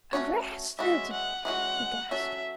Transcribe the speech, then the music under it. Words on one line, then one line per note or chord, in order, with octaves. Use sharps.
"Arrested!" he gasped.
A3 C#4 F#4 C#5
E3 G#3 C#4 F#4 E5
F#5
E3 G#3 C#4 F#4 F#5
F#3 C#4 F#4 A4 C#5 E5